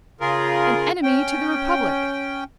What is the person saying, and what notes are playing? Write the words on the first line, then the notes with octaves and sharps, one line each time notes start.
"An enemy to the Republic!"
C#3 F4 G#4 A#4
C#4 G5